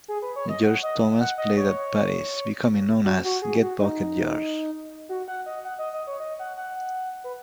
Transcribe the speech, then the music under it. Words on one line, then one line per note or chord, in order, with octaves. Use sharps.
George Thomas played at parties, becoming known as "Gut Bucket George".
G#4
B4
C#5
D#5
F#5
D#5
F#5
D#5
C#5
F#4
F#4
G#4
F#4
D#4
F#4
F#5
D#5
F#5
D#5
D#5
C#5
D#5
F#5
F#5
B4